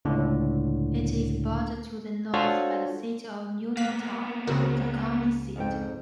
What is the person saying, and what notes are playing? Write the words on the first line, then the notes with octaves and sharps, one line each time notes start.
It is bordered to the north by the city of Uniontown, the county seat.
C#2 A2 D3
D4 F4 F#4 A4 C5 C#5
A#3 B3 F5 F#6 B6
C#2 C#3 C4 F#4 A#4
F2 G#2 G5